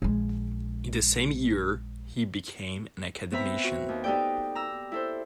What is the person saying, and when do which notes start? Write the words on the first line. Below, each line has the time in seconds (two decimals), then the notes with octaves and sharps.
In the same year he became an Academician.
0.02 A#1 G#3
3.32 B3 C4 B4 E5 A#5 B5
3.64 F#4
3.89 D#2
4.04 B3 D#4 G4 A4 D5 G5
4.55 A#5 E6
4.92 E4 A4 C5